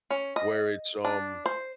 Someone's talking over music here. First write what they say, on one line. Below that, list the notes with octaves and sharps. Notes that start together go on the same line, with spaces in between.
where it's, um
C#4
D#5
D4
C5